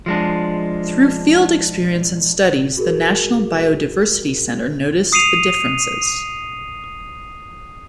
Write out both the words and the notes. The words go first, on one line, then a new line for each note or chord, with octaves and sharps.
Through field experience and studies, the National Biodiversity Centre noticed the differences.
F3 G#3 D4
F#4 G#4 A#4
D#6 C7 C#7 D#7 F7